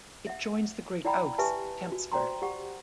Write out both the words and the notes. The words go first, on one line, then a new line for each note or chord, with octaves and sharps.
It joins the Great Ouse at Tempsford.
E5 F#5
E4 D5 F#5 G5 A#5 B5
G4 B4 E5 G#5 A5
F#4
C5 D5 G5 A#5 C6
G4 F#5